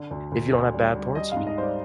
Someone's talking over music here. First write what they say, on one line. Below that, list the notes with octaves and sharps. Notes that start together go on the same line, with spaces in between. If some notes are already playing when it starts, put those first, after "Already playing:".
if you don't have bad parts of you.
Already playing: D3
D2
D2
D2
G3
G3
G3 D#5
F5
G#2
D#5
G3 C5
D5